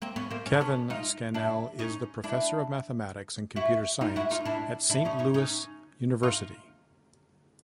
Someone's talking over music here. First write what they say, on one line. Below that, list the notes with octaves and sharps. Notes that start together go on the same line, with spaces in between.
Kevin Scannell is the professor of mathematics and computer science at Saint Louis University.
A#3 C4
B3 C#4
A#3 C4
C#4
D4
B3 C#4
D#4 F4
D4 E4
C#4 D#4
D4 E4
E4 F#4
D#4 F4
E4 F#4
D#4 F4
D4 E4
D4 E4
C#4 D#4
C#4 D#4
C#4 D#4
D#4 F4